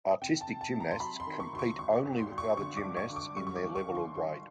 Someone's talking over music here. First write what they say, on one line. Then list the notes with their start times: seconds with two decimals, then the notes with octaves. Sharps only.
Artistic gymnasts compete only with other gymnasts in their level or grade.
0.21 C3 G5
0.41 A5
0.47 C3
0.61 A5
0.74 C3
0.80 A#5
0.91 C6
1.00 F#3 B5
1.20 C6
1.26 D#3
1.40 C#6
1.53 D2 C6
1.59 C#6
1.79 G#1 C#6
2.05 G#1
2.19 C6
2.32 G#1
2.38 C#6
2.57 D3 C#6
2.77 D6
2.84 G2
2.97 C#6
3.10 D3
3.16 D6
3.36 G3 C#6
3.47 C#6
3.56 D6
3.63 D#2
3.76 C#6
3.89 D3
3.95 C6
4.15 D3 C6